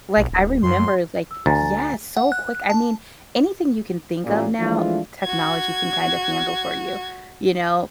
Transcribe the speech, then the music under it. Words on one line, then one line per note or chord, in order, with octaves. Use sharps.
Like, I remember, like yes, so quick, I mean, anything you can think of now, technology can kind of handle for you, you know?
B1
D1
F#2 C6
E6
D2 G#5 A#5 A6
F#5
F#6
A5
A1 A#2
E3 F3 G#3 A3 D4 F4
F#4 G#6